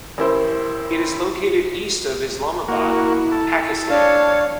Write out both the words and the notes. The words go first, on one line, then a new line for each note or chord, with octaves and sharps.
It is located east of Islamabad, Pakistan.
A1 E4 G4 A#4 C5
A#3 E4 F#4
A4
D4 C#5 F5